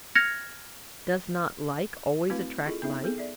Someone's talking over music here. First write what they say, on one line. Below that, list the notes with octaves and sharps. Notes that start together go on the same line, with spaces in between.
Does not like always attract like?
F6 G#6 A#6 C#7 F7
A3 C4 E4 F#4 B4 F5
E4 F4 G#4 A4 D#5
B3 D#4 E5
B3 G#4 A4
D5 E5